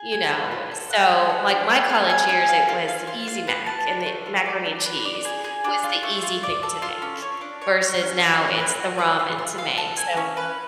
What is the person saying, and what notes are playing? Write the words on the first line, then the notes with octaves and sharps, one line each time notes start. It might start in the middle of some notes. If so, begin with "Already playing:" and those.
you know? Eh, so, like, my college years, it was the Easy Mac, and the macaroni and cheese was the easy thing to make, versus now it's the ramen to make, so
Already playing: G#4
G#5
B4
F4
A4
F#5
G#4
F#5
D4
B4
G#4
G#5
G#4
F5
F4
F5
F4
F5
B4
A5
D4
A3
F4
D5
D4
B4
D5
G#4
G#4
D4
F4
A3
F4
D5
A4
F4
C#4
C#5
D4
C#5
F#4
C#4
F#4
C#4
B4
F#4
B4
F4
F4
F5
A4
G#5
C#4
B4